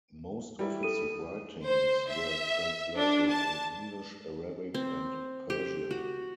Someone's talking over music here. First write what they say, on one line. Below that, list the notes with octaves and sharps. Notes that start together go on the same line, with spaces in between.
Most of his writings were translated in English, Arabic, and Persian.
G3 E4
A4 D#7
C5
E5
D4
A5
C4
G4
F#4